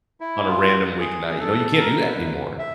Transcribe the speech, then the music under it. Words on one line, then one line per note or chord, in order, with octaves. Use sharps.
on a random weeknight, you know, you can't do that anymore.
E4
F4
G#4
G#4
A4
A#4
B4
E5